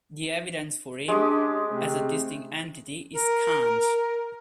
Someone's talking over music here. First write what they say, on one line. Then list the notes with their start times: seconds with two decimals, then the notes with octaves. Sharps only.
The evidence for him as a distinct entity is scant.
1.08 G#3 C#4 D4 G4 D#6
1.69 C3 A3 C4
3.13 A#4